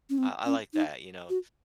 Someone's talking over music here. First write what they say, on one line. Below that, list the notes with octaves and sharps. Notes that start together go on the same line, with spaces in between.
I I like that, you know,
C#4
C4
C#4
D#4
F#4